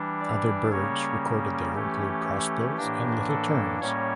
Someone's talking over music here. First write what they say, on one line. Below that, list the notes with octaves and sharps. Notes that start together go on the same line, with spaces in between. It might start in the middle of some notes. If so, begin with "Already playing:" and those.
Other birds recorded there include crossbills and little terns.
Already playing: E3 G3 D4
D5
C#3 G3 A#3 C#4 C#5
E3 A3 C#4 G4
A2 E3 A#3 D4
A4
A2 G3 A#3 C#4 C#5